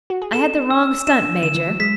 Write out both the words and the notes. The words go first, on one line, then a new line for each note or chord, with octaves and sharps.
I had the wrong stunt, Major.
F#4
G#4
A4 E7
E6
D4 E7
D3 E7
E3
F#3
G#3 B6